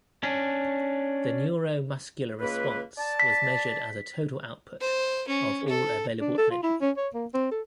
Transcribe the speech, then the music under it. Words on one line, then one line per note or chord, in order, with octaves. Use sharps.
The neuromuscular response was measured as a total output of all available energy.
C#4 D4
C#2 A#3 B4
D5 A5
B6
C5
C#4
A4
D4
A4
F4
E4
C#4
C#5
A#3
C4
A4